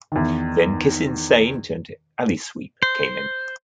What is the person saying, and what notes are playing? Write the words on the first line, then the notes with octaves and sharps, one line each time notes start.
Then Kissin Saint and Alysweep came in.
E2 D#3
C5